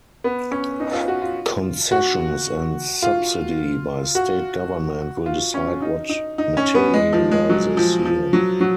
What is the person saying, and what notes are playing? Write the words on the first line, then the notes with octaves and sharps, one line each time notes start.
Concessions and subsidy by state government will decide what materialises here.
B3
C#4
D#4
F4
F#4
F4
F#4
F4
F#4
F4
C#4
D#4
D#4
D#4
C#4
B3
G#3
F3
G#3
F#3
F3
F3
F#3
F#3